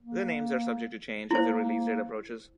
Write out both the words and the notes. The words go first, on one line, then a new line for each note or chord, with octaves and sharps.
The names are subject to change as their release date approaches.
A#3
A#3 E4 C5